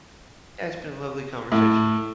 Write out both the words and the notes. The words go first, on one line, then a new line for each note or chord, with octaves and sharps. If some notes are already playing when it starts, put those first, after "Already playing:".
yeah, it's been a lovely conversation.
A2